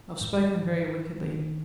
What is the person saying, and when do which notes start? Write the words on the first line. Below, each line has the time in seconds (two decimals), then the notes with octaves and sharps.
I've spoken very wickedly.
0.21 G#2
1.24 D#3